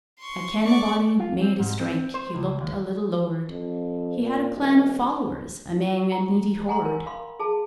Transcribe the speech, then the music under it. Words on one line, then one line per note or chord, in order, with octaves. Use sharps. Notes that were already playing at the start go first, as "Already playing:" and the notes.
I ken a body made a strike. He looked a little lord. He had a clan o' followers Amang a needy horde.
C6 C#6
D5 C#6
F4
C4
G#2
C4
C5
C#2
D#2
F2
A#2
E1
A#5
F#5 G#5 A#5 C6
A#4
F5 B5 C6
G#4 A5